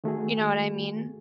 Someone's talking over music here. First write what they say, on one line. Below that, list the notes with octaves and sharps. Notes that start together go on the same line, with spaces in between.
you know what? I mean,
D#3 A3 F#4 G#4